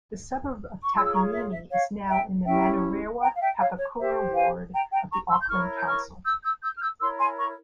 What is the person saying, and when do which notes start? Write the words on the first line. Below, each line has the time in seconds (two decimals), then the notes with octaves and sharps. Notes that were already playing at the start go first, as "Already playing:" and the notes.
The suburb of Takanini is now in the Manurewa-Papakura Ward of the Auckland Council.
0.83 C#6
0.93 F4 G#4 C#5 C6 E6
1.04 E6
1.12 A#5 C#6
1.32 E5
1.51 E5
1.70 C#5 F5
2.07 E5 G5
2.45 C#4 E4 G4 E5 G5
3.20 G5 A#5
3.34 F5
3.40 E5 G5
3.59 C#5 F5
3.77 C#5
3.97 G4 C5 E5
4.34 F5 G#5
4.73 G5 A#5
4.91 G5 A#5
5.10 A#5 C#6
5.28 C6 E6
5.41 G6
5.48 E4 A#4 C#5 C#6 F6
5.76 G6
5.85 C#6 F6
6.24 E6 G6
6.42 E6 G6
6.61 E6 G6
6.74 F6
6.80 E6 G6
6.99 E4 A#4 C#5 C6 E6
7.18 G#5 C6
7.37 A#5 C#6